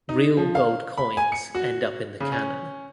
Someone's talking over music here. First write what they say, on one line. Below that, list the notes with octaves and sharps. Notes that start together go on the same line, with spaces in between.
Real gold coins end up in the cannon.
D#4
F3
F5
B5
G#5
C#7
F#4
C#3
C#4